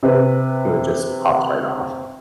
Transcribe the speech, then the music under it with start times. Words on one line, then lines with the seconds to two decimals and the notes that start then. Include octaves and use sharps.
So it just pops right off.
0.03 C3 B4